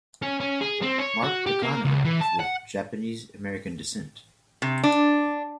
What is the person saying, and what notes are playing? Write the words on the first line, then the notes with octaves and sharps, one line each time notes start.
Mark Takano is of Japanese-American descent.
C#4
C#4
G#4
C4
C#5
F#4
G4
A#3
C#2
E3
A5
F#5
C3
D4